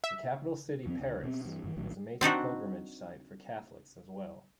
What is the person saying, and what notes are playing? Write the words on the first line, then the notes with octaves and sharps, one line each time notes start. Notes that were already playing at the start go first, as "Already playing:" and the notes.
The capital city, Paris, is a major pilgrimage site for Catholics as well.
E5
F2 F3 G#3 C4
D2
B2 C4
G2 E3
G2 D#3 E3
A#1 A2 D#3 F#3
C4 D4 D#4 F#4